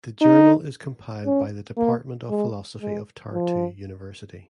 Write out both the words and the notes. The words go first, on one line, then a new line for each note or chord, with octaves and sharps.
The journal is compiled by the Department of Philosophy of Tartu University.
D#4
C#4
A#3
G#3
G#3
F3